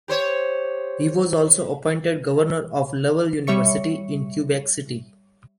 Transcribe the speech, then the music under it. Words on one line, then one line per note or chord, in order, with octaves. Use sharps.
He was also appointed Governor of Laval University in Quebec City.
G4 C5 C#5
G3 C#5 E5 C#6 C#7